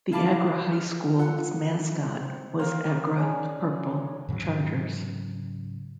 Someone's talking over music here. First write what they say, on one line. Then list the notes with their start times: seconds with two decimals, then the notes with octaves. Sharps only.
The Agra High School mascot was Agra Purple Chargers.
0.12 E4 F5 A5 B5 D6
0.73 F6
1.19 F4 A4 F#5
2.16 C4
2.60 E3 A#3 A#4
3.17 C#4 D4 G#4
4.29 G#2 C#3 E3 F#3